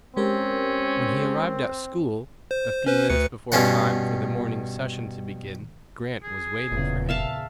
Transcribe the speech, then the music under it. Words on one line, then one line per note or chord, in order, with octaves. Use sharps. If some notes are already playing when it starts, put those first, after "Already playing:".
When he arrived at school, a few minutes before time for the morning session to begin, Grant was waiting for him.
G#3 C4 C#4 G4 A#4
C5
C#4 B4 C5
D2 B4 C#7
G2 B2 C#4 F4 F#5
G#4
F1 E2 A#2 C#3
E5 F5 A5